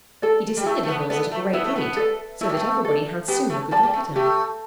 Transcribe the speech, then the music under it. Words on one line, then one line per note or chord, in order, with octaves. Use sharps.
He descended the hills at a great rate, so that every body had soon a good look at him.
A4 D5
G3
A3 E4
A3
B3
B3 A4 D5
A3
B3 E4
A3
B3
A4 D5
A3 E4
G3
A3
A4 D5
B3 G4
A3
G3 D5 A5
G3
A3
A3 G4